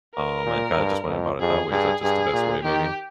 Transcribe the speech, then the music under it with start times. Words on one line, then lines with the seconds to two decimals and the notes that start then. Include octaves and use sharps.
Um, and kinda just went about it that way. Is that just the best way maybe?
0.14 A#4
0.46 A#2
0.77 G2
1.08 F2
1.40 F2 G#4
1.71 G2 G#4
2.02 G2 G#4
2.33 A#2
2.64 D#3 G4